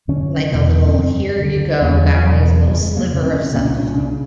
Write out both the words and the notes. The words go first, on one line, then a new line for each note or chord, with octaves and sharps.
Like, a little, "Here you go, guys." A little sliver of self.
F#2 D3 C#4
E2 B2
C#4
F#2 C#3 C4
D2 D3
E2 C#3 B3
G3
F#3
F3
E2 F#3
B2
F2 C#3 G3
G#3
A#3
D2 C#3
C4
C#4
C2 A#2 C#4
D4
C#4
C#4
C#3 D4